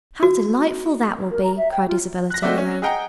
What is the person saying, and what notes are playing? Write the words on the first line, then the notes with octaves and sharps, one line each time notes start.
"How delightful that will be!" cried Isabella, turning round.
F#4
A#4
A#5
E5
G5
F4
F#6 A#6
G#3 A3 C4 F#4 D5 E5
C#4
G#4 D#5 F#5 G5 A#5